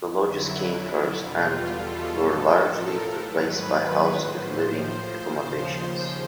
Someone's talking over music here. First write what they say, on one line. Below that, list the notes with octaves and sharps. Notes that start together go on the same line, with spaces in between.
The lodges came first and were largely replaced by houses with living accommodations.
F2 D3 F#3 E4
E2 B2 G3 F4
A4
A2 F3
A#4
G#2 D#3 F#3 B4
A2 F3 C5
D#2 C#3 F3